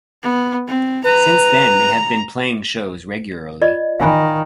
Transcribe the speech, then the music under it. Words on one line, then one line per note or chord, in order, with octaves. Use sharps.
Since then they have been playing shows regularly.
B3
C4
B4 A#5
F4 D5 D#5
D#3 F5 G#5 B5